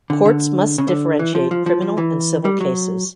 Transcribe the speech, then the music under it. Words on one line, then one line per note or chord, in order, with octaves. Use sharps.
Courts must differentiate criminal and civil cases.
D3
D3
C#3
D3
E3
F3
F3
F3
F3
E3
G3
F#3